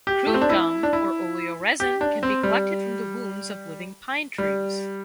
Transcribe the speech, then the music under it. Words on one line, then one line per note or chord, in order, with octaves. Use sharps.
Crude gum or oleoresin can be collected from the wounds of living pine trees.
G4
A3
C4
D4
E4
D4
E4
G4
D4
C4
G3
G3